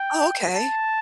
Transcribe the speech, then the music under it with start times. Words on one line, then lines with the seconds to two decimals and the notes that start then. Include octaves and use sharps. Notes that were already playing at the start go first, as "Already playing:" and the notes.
Oh, okay.
Already playing: G5
0.55 A5